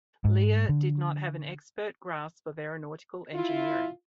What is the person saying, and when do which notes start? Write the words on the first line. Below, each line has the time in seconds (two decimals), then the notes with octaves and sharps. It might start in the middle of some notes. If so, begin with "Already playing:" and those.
Lear did not have an expert grasp of aeronautical engineering.
0.25 G#2
0.69 D3
3.34 E4 F4